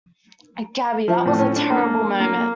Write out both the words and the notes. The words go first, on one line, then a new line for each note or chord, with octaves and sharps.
Gabby, that was a terrible moment.
F3
A2
C#4
D4
A#3
A#3